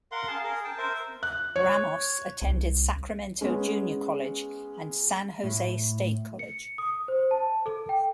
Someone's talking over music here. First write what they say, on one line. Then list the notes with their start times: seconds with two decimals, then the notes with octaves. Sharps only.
Ramos attended Sacramento Junior College and San Jose State College.
0.12 A#4 F5 F#5 C6
0.28 G#4 F5 A5
0.44 G#4 A#4
0.64 G5 A5
0.78 A#4 C5 E5
1.23 F#6
1.56 C#5
2.42 C2
3.41 G#3 B3 C#4
5.44 A2
6.39 C#7
6.78 D#6
7.08 C5
7.31 A5
7.66 A4
7.89 G5